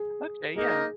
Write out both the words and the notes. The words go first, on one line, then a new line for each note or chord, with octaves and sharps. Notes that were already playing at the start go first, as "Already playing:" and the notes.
Okay. Yeah.
Already playing: G#4
A#3 D#4 G#4 A#4 D#5